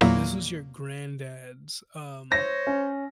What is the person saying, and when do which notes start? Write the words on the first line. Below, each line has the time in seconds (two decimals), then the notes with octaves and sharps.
this was your granddad's, um,
0.01 E2 A#2 F#3 A#3 E4 A#6
2.32 C5 C#5 A#6
2.67 C#4